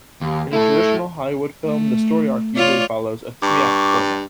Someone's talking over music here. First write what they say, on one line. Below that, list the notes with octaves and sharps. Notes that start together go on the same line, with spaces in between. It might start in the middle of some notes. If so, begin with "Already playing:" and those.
In a traditional Hollywood film, the story arc usually follows a three-act format.
D#2
A3 E4 A4
A3
F4 C#5 D5
G2 C#6 D6